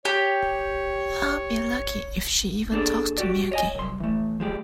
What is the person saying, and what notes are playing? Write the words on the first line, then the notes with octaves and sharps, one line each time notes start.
I'll be lucky if she even talks to me again.
G4 C#5
A#3 D4 G#4 A4 D5
F#4 G4 D5
C#5 D#5 G#5
C2 F#2 C6
E3 A3
F3 G#3 G4